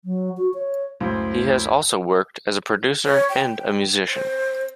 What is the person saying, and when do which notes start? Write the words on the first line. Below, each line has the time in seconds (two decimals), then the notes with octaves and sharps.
He has also worked as a producer and a musician.
0.05 F#3
0.37 F#4
0.54 C#5
1.00 C#2 F#2 A2 C5
3.06 C#5
3.29 G5
4.08 C5